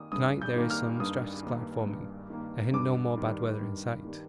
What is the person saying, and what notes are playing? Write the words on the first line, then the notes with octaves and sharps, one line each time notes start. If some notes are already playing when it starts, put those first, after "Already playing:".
To-night there is some stratus cloud forming--a hint no more bad weather in sight.
Already playing: D#3 A#3 D#6
G2 D#6
G6
D#3 A#3
F6
G2 D#6
D#3 A#3
G2
D#3 A#3
G2 D6
D#3 G3
G2
D#3 G3